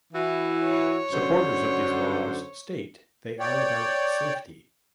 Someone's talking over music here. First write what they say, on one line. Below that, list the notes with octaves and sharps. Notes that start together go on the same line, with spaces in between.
Supporters of these laws state they are about safety.
E3 E4 F#4
C#5
F#2 D3 C5
C#5 D5 G5